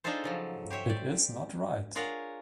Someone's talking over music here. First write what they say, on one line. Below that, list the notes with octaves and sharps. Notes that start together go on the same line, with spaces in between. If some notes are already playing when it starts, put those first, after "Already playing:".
It is not right!
D4 D#4 F4 G#4 A4 C5
C#3 F3 F#3
G4 C5 C#5 E5
D5
D4 F4 G#4 A#4 C#5 F#5